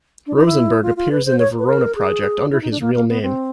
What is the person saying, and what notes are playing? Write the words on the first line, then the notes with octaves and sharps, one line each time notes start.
Rosenberg appears in the Venona project under his real name.
D4
D#4
E4
F4
F4
B4
C5
C#5
B4
A#4
G#4
E4
D#4
D4
A#3
A#3
B3
C4